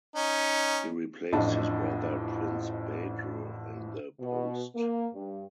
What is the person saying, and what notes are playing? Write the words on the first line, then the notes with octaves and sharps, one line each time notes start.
He replaced his brother Prince Badr in the post.
C#4 D#4
A1 F2 A2 D4 D#5 A5
B2
A#3
G2